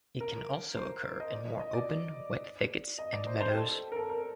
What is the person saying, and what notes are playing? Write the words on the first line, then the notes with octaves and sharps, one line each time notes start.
It can also occur in more open wet thickets and meadows.
A#4
C5
D#5
D5
D#5
D#5
D5
D#5
D5
C5
C5
G4
A4
A4
A#4
A4
A#4